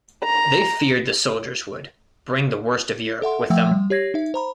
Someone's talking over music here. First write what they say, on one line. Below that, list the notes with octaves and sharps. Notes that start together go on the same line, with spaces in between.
They feared the soldiers would "bring the worst of Europe" with them.
A#5
A4 E5 F#5 C6
F3 A3 E5 F#5 G5 E6
G3
G4 C#5 G#6 A#6 C7
D#4 E5
C5 A#5 B5